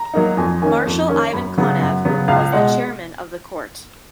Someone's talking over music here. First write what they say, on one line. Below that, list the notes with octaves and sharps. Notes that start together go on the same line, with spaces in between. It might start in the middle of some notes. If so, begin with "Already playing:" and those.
Marshal Ivan Konev was the chairman of the court.
Already playing: A#5
F#3 A#3 D#4
F2 G#5
D#3 A#3 C#4 G#5
F2
D#3 A#3 C#4
F#2 B5
C#3 F#3 B3
F#2 F#5
C#3 F#3 B3
C#2 F5
B2 G#3 F#5